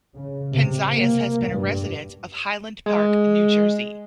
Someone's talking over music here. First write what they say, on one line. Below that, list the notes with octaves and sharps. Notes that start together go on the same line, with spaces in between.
Penzias has been a resident of Highland Park, New Jersey.
C#3
C3
A#3
G2
G#3